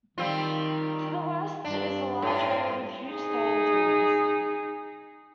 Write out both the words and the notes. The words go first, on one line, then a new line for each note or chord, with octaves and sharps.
To the west is a large area with huge sand dunes.
D#3 G3 C4 F4
G2 D4
A2 F4
D#4 G#4